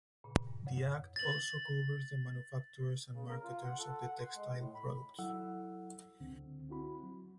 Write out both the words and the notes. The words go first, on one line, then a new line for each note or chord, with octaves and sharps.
The act also covers the manufacturers and marketers of the textile products.
A#2 C#3
G2
F2 C#5
A6 F#7
C#3
A#4
F4
F#5
A4
F#5
C6
G#3
A2
B5
F#3 E4 A4 F#5 E6
C#2 D3 C4
C4 E4 F#4 B5
F#3